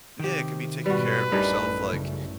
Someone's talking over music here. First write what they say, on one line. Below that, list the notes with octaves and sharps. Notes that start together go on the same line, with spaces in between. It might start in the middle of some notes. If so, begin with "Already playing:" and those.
Yeah, it could be taking care of yourself like,
C3 D#3 G4 G5
G#2 B2 G3 F#4 B4
A1 F#2 G3 A3 D4 D#4 A#4 G#5
C#3